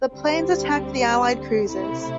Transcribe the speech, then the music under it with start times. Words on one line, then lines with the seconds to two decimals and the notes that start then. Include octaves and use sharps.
The planes attacked the Allied cruisers.
0.11 D2 D3 G3 C4
1.65 C3 A3 E4